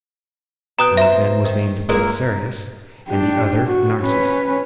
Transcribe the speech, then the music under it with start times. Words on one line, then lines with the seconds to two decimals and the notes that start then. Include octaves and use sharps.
One of them was named Belisarius and the other Narses.
0.79 B2 G5 A#5 D#6 F#6
0.97 C5 E5 A#5
1.45 D#3
1.89 C#2 G#3 A#3 E4 A#4 F#5
3.09 D4 G4
3.67 F#4
4.02 C#4 B4